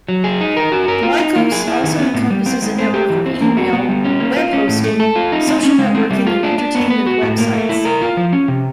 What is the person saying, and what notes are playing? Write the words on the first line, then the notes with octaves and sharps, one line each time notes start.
Lycos also encompasses a network of email, webhosting, social networking, and entertainment websites.
F#3
G#4
D#4
A#4
F#4
A#4
F4
D#4
A#3
G#4
E4
D#3
B3
A2
G3
C4
G#3
C5
G4
E3
C4
A#3
F#4
B3
G3
C#4
A#3
F4
C#4
A2
A3
A4
F4
D#4
C4
C#4
G#3
C4
G3
F4
D4
D4
B3
B4
F#4
A2
A#3
A3
E4
A#4
F4
F3
C#4
C3